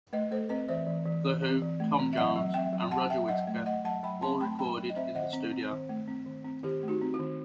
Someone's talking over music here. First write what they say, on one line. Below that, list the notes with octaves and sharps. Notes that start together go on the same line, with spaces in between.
The Who, Tom Jones, and Roger Whittaker all recorded in the studio.
A3 B4 D#5
A3 A4 C5
C4 B4 D#5
E3 C5 E5
E3
E3
E3
C4
E3
A3
C4
E5
F#3 D#5 F#5
F#3
C4 E5 G5
F#3
F#3 F#5 A5
F#3 E5 G5
F#3 D#5 F#5
A3
A3 D#5 F#5
F#3 F#5 A5
F#3 G5 B5
C4 A5 C6
A3 G5 B5
A5
F#3 G5 B5
F#3
D#5
C4 C5 E5
D#3 D#5 F#5
C4
C4
D#3
A3
C4
D#3
C4
D#3 E4 G4
A3
D#4 F#4
C4
E4
D#3